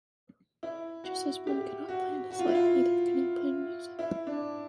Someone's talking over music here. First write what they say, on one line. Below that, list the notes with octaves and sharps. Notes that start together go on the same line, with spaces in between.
Just as one cannot plan his life, neither can he plan music.
E4
F#4
G4
F#4
F#4
F4
E4
F4
E4
D4